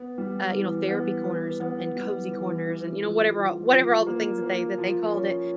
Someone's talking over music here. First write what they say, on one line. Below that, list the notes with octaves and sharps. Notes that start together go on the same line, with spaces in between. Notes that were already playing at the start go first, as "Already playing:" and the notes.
uh, you know, therapy corners and and cozy corners and, you know, whatever all whatever all the things that they that they called it.
Already playing: B3
G3
E3
B3
B3
B3
G3
E3
E4
F3
F3
F3
A#3
A#3
F3
C#4